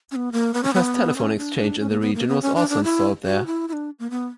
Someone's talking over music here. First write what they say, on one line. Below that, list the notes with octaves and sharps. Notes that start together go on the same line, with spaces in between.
The first telephone exchange in the region was also installed there.
C#4
B3
A#3
B3
C#4
B3
C#4
D4
D4
C#4
A#3
B3
A#3
B3
C#4
D4
D4
E4
F#4
E4
E4
D4
A#3
B3